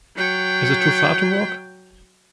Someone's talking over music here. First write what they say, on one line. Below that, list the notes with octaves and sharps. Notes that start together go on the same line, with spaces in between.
Is it too far to walk?
F#3 G5